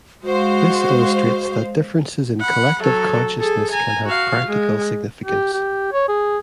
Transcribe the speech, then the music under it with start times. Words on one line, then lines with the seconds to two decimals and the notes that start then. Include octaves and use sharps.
This illustrates that differences in collective consciousness can have practical significance.
0.23 G#3 F#4 C5 F5
2.40 F#5 B5
2.82 F#3 A4
3.39 G#4 A4
3.71 G#5 A#5
4.05 F#4 F5
4.46 G#3
5.24 G4
5.53 G4
5.92 C#5
6.08 G#4